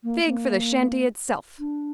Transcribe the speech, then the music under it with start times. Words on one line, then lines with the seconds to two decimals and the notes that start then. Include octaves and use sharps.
A fig for the shanty itself!
0.04 A#3
0.26 A#3
1.59 D4